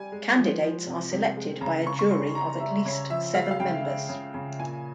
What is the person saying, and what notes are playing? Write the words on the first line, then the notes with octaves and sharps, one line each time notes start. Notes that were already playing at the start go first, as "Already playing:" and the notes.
Candidates are selected by a jury of at least seven members.
Already playing: G3 G#5
G#3
F3
F3
C3
C3
G#3
C#3 A#5
C#3 C#6
C#6
G3 C6
G3 A#5
G3 E5
C#3 C#5
F3 E5
G#3 F5
F5
C#3 G5
G#3
C#3
C#3
A#2 G#5